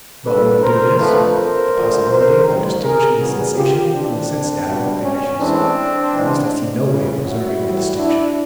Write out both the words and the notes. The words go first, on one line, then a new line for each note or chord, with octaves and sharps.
But when we do this, the possibility of distinguishing the sensation from the sense-datum vanishes; at least I see no way of preserving the distinction.
G2 D3 G3 A#3 A4 B4
A#4 C5
F2 D3 F3 A3 C4 A4 B4
A#4 C5
D2 D3 F3
A#4 C5
A1 G2 D#3
G#4 A#4
E2 C#3 E3 G3 B3 F#4 G#4
F4 G4
C#2 C3 E3 C4 D4
C#2 B2 G3 B3
C#4
A2 E3 G#3 C4 D4
G#2 E3 G#3 C4
F2 C#3 E3 C#4
E4 F#4
A2 E3 G3 C4
D4 E4